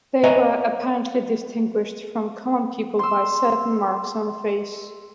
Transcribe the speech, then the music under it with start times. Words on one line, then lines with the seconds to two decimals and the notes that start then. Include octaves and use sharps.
They were apparently distinguished from common people by certain marks on the face.
0.24 B4 C#5 D#5 E5 G#5 A#5
2.99 C6 E6